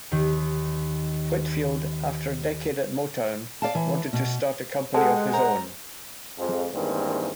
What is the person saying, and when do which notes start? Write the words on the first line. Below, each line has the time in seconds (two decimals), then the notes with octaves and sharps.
Whitfield, after a decade at Motown, wanted to start a company of his own.
0.11 D#2 D#3
3.62 D5 F5 A5
3.75 E3
4.13 B2
4.94 G#3 G4 A4 F#5 A5
5.34 C5 A#5
6.38 F2 F3 G#3
6.73 E2 G2 D#3 G#3 A#3 C4